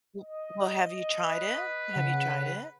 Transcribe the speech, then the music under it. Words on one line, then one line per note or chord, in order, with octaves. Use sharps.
W well, have you tried it? Have you tried it?
D#5
B4
C#3 F#5